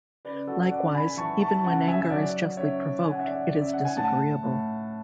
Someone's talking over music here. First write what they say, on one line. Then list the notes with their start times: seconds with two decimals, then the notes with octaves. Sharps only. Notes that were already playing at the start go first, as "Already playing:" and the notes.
Likewise, even when anger is justly provoked, it is disagreeable.
0.25 C#3 B4 D5
0.47 F#4 A4
0.71 C#3 D5 F#5
0.95 G#5 B5
1.17 E3 A5 C#6
1.41 A5 C#6
1.64 C#3 F#5 A5
1.88 E5 G#5
2.01 E5
2.10 F#3 D5 F#5
2.57 C#3 C#5 E5
3.03 C#3 G#5
3.11 F#5
3.20 E5
3.27 D5 F#5
3.49 C#3 D5
3.61 E5
3.73 F#5
3.85 G#5
3.96 A2 F#5 A5
4.43 A2